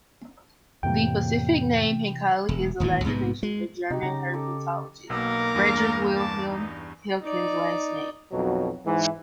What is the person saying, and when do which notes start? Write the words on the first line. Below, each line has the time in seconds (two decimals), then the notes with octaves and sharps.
The specific name, "henkeli", is a Latinization of German herpetologist Friedrich-Wilhelm Henkel's last name.
0.83 F2 A2 C3 E3 A#3 G5
2.49 E1
2.80 D#1 G#1 A2 E3
3.04 A#1 G#2 C3 B3
3.43 G#3
3.90 C3 D#4 G4
4.03 C#3 C#4 A#5
4.34 A4 D6
5.10 B1 B2 A#3 A#4 A#5 D6 E6
5.55 E2 G2
6.14 A5 D6
6.46 D#4
7.23 D#4 D5
8.32 B1 F2 B2 F#3
8.85 G#2 E3